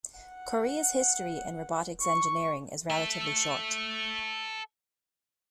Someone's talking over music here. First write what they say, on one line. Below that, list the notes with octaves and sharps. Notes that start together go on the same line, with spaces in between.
Korea's history in robotics engineering is relatively short.
F#5
C#6
A4 E5